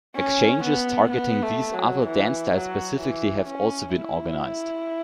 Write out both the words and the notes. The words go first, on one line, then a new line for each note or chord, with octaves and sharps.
Exchanges targeting these other dance styles specifically have also been organized.
C#4
B3
B3
A3
F#3
E3
F#3
E3
C#4
E4